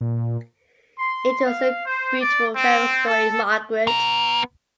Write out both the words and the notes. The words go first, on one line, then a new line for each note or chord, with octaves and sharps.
It was a beautiful fairy story, Margaret.
A#2
C6
F5
C5
D5
C4
A4
B3 A#5